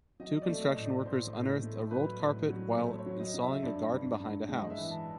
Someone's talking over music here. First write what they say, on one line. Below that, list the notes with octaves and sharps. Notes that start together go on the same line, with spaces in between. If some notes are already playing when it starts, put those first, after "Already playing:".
Two construction workers unearthed a rolled carpet while installing a garden behind a house.
F#3 D#5
D5
A3
D#5
A2
D5
A2 C5
A2
A3
F#3 B4
A2
F#3
A3 C5
C#5
F#3
D#5
F#3
E5
G2 D5
G2
G2
G#3 D#5
E5
E3
A5